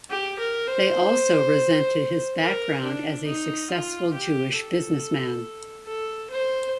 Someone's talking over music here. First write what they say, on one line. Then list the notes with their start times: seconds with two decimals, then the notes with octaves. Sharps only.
They also resented his background as a successful Jewish businessman.
0.10 G4
0.39 A#4
0.67 C5
2.40 A#4
2.84 D4
3.27 D#4
3.71 F4
4.14 G4
4.57 A4
5.86 A4
6.31 C5